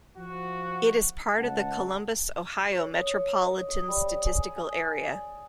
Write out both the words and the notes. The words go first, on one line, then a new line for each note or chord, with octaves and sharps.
It is a part of the Columbus, Ohio Metropolitan Statistical Area.
F3 F#4
C#2 F#5 A5
C#5
D#6
D#5
D#5
G3
G#4
G#5
D5